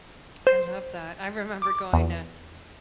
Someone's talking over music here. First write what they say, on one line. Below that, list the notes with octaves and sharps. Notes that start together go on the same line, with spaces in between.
I love that. I remember going to,
C5
D6
E2